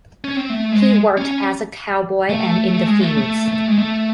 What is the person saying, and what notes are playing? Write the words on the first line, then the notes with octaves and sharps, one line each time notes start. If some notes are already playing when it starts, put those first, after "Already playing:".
He worked as a cowboy and in the fields.
C#4
C4
A3
G#3
C#4
A3
A3
G#3
A3
A3
A3
G#3
A3